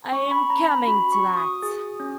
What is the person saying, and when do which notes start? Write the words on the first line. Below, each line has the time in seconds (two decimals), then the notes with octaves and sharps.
Iâm coming to that.
0.12 C#4 C#6
0.31 B5
0.50 C#4 A#5
0.69 B5
0.87 F#4 B5
1.12 C#6
1.25 F#4
1.37 D#6
1.63 G#4
2.00 C#4